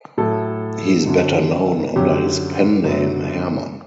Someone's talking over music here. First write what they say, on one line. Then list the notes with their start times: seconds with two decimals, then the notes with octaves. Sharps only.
He is better known under his pen-name Hermann.
0.18 A2 F#3 A3 A4
1.06 F#2 D3 F#3 C#4
1.96 F#2 D3 F#3 C#4 G4
2.85 F#2 D3 F#3 B3